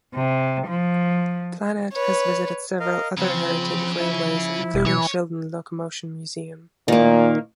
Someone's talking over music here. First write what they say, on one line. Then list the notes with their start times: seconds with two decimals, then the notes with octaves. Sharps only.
"Planet" has visited several other Heritage railways including Shildon Locomotion Museum.
0.15 C3
0.67 F3
1.92 B4 C#5
2.80 A#4 D#5 F5
3.18 C#3 F3 C4
3.99 E4
4.74 E1 B2
4.86 E3 C#5
6.88 A#2 D#3 A#3